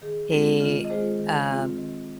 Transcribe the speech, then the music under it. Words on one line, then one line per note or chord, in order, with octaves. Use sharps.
He, uh,
D#3 G#4
G#3 C4 F4
D#3 F4
D#5
G#3 F4 G#4 C5
D#3
C4 F4
D#3